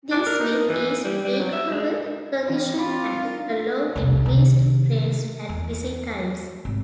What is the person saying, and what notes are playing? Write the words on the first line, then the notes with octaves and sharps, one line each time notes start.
These will ease peak-hour congestion and allow increased trains at busy times.
D4
A#4
D#4
E3
G3
G3
F#3
E5
G#3
E3 C4 D4 F4
C4 F4 B5 D6
D4 D#4 A#4
E1 C2
C3 D#3
E2
G#1